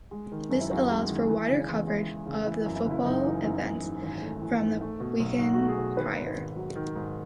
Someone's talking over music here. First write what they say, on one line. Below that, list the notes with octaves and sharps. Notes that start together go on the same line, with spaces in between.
This allowed for wider coverage of the football events from the weekend prior.
G#3
D#3
F#2
E4
F#2 F#4
G#3
D#3
E3
C#3
E2
G#3 E4
E3
C#3
E3 E4
E4
F#2
E4
F#1
E4
F#1 D#4
E3
F#2
E3
G#2
G#1
A3
E3
G#2
A3
B2
B1
B1 F#4
F#4
A3
G#4
B2
D#3 B4
G#2
B4
G#1
F#3
D#3
G#2